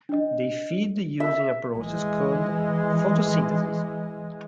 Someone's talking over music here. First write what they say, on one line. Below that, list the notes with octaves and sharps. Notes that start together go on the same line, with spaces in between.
They feed using a process called photosynthesis.
D4 D#5
E5
E3 G#3